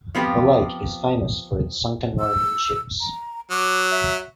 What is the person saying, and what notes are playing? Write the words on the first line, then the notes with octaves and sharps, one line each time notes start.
The lake is famous for its sunken Roman ships.
F3 B3 C4 F4 G4
E6
A#5
F#3 D6
E5